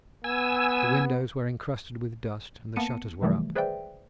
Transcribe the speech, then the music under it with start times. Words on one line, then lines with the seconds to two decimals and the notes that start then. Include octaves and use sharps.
The windows were encrusted with dust, and the shutters were up.
0.24 B3 G#5 E6
2.76 A#3 B3 A5 C#7 D#7
3.22 C3 D#3 E3 F#3 G3 A3
3.55 G#4 B4 C5 D5 E5 G5